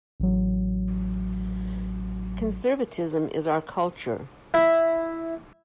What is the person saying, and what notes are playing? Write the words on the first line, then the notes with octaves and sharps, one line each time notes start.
Conservatism is our culture.
A1 F#3
E4